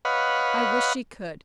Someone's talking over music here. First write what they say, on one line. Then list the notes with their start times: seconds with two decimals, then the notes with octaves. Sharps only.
I wish she could.
0.05 B4 C#5 D#5 F5 F#5 B5